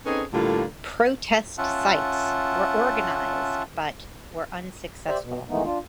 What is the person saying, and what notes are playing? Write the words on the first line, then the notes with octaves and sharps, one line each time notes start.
Protest sites were organized but were unsuccessful.
C4 C#4 D#4 G#4 A4 B4
A2 D3 G3 A#3 F4
C#4 F4 E5 F#5 A5
G4 C5 D5 E5
B2
D#3 E3 G#3 A3 B3 D#4
D4 F4